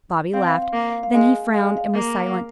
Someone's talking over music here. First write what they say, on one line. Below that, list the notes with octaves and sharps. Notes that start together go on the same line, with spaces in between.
Bobby laughed; then he frowned and was silent.
C4 F5
F5
F5
A#3 F5
F5
F5
G#3 F5
G#3 F5
F5
A#3